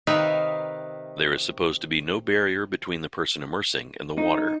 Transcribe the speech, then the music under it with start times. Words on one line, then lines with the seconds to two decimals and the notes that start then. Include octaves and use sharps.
There is supposed to be no barrier between the person immersing and the water.
0.07 C3 D#3 D#4 B4 E5 F5
4.18 D#4